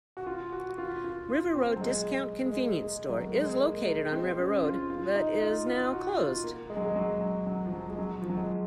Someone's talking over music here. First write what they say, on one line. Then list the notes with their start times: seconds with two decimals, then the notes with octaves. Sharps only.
River Road Discount Convenience store is located on River Road but is now closed.
0.17 F#4
0.26 F4
0.52 F#4
0.70 F#4
0.78 F4
1.04 F4
1.30 F4
1.55 C4
1.76 F#3
1.81 G#3
2.46 G#3
2.59 A#3
2.84 G#3
3.09 F#3
3.27 A#3
3.35 G#3
3.61 A#3
3.78 G#3
3.87 A#3
4.12 C4
4.38 C#4
4.64 F4
4.90 F4
5.16 D#4
5.42 F4
5.67 F4
5.93 F#4
6.18 F4
6.44 A#3
6.70 G#3
6.77 F#3
6.84 G#3
6.96 F#3
7.21 F#3
7.47 F#3
7.66 F3
7.72 F#3
7.90 G#3
7.99 F#3
8.22 F3
8.29 F#3
8.37 G#3